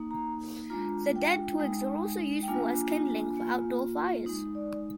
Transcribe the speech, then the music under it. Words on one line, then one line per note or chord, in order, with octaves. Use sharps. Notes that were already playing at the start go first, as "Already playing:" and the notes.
The dead twigs are also useful as kindling for outdoor fires.
Already playing: A#3 D#4
A#5
G#3 D4 F4 A#5
G5
G#3 D#4
G5
A#3 D4 F4 G#5
A#3 F4
G#3 D#4
D5